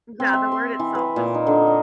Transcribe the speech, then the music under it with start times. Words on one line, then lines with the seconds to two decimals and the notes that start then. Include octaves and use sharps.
Yeah, the word itself is
0.20 C4
0.33 E5
0.52 C6
0.79 E3
0.95 B4
1.16 A#2
1.34 D#4
1.47 D3
1.67 D#5